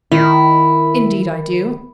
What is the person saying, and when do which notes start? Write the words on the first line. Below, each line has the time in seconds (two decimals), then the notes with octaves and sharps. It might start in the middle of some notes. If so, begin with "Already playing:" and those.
"Indeed I do."
0.12 D#3 E4